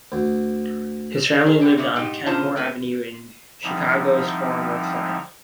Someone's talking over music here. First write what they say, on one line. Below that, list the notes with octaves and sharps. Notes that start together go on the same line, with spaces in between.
His family lived on Kenmore Avenue in Chicago's far north side.
D2
G#4 C5
D3 G3
C3 A#3 B3
G#2 B2 D#4 G4
B2 D3 F4 C5 A5 A#5
A3 B4
D3 F3 G3 C4 D#4 E4